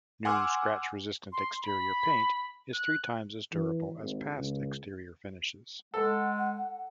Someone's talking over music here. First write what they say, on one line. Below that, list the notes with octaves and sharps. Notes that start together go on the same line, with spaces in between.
New scratch-resistant exterior paint is three times as durable as past exterior finishes.
F#5 G#5 C6 D6 E6 F6
C6
B5
F#6
E3
G#1
C#2
G#3 A4 F#5